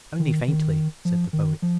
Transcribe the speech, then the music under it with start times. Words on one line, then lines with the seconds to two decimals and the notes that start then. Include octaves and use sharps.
"Only faintly," said the Poet.
0.20 D#3
0.48 D#3
1.05 F3
1.33 D#3
1.62 F3